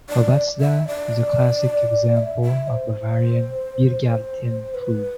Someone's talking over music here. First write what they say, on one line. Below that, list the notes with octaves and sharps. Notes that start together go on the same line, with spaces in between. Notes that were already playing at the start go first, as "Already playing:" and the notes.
"Obatzda" is a classic example of Bavarian "biergarten" food.
D5
E5
D5
E5
E5
C5
B4